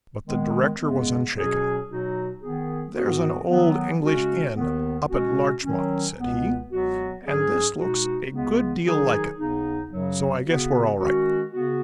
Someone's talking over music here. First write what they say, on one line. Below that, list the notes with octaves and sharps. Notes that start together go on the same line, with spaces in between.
But the director was unshaken. "There's an old English inn up at Larchmont," said he, "and this looks a good deal like it, so I guess we're all right."
D#3 G#3 B3
F#2 C#3 G#3 B3
B2 F#3 C#4 G#4
B2 F#3 D#4 F#4
D#3 B3 G#4
G#2 F#3 B3 F#4
D#3 F#3 B3
C#3 G#3 C#4 F#4
D#2 D#3 B3
B2 G#3 C#4 F#4
D#3 F#3 C#4
C#2 B2 B3
C#2 B2 F#3 B3 F#4
G#2 F#3 C#4 G#4
B2 G#3 D#4 F#4
C#2 C#3 G#3 B3
D#3 F#3 D#4 G#4
D#2 C#3 B3 D#4
F#2 C#3 F#3
C#3 B3 F#4
D#3 G#3 C#4 F#4
C#3 B3 F#4